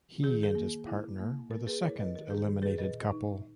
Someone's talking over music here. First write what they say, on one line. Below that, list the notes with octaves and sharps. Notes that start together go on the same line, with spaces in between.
He and his partner were the second eliminated couple.
D#3 G#4
G#4
A#3
E4
A#3
A#3 A#4
G#4 B4
E4 A#4 C#5
B4 D#5
D#3 A#4
G#4
D#3
G#4 B4
A#2 B4 D#5
D#4